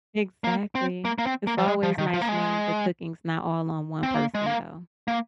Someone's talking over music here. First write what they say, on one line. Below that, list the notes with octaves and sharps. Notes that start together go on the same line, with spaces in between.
Exactly, it's always nice when the cooking's not all on one person though.
A#3
C4
A#3
A#3
C4
A#3
F3
G#3
F3
D#3
F3
A#3
G#3
C4
A#3
G#3
A#3
A#3